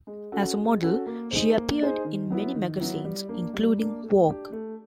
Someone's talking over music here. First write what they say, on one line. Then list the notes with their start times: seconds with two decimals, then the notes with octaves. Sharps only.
As a model, she appeared in many magazines including "Vogue".
0.07 G#3
0.32 C#4 F#4 A4
0.57 G#3
0.81 C#4 F#4 A4
1.06 A#3
1.31 D#4 G#4 C5
1.56 A#3
1.81 D#4 G#4 C5
2.05 D#3
2.30 F#3 B3 E4
2.55 D#3
2.79 F#3 B3 E4
3.04 G3
3.29 A#3 D4
3.54 G3
3.78 A#3 D4
4.03 A3
4.27 D4 G4
4.52 A3